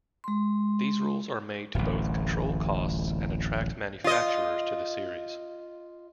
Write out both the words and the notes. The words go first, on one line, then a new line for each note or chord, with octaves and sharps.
These rules are made to both control costs and attract manufacturers to the series.
G#3 C6
D1 A1
F4 D#5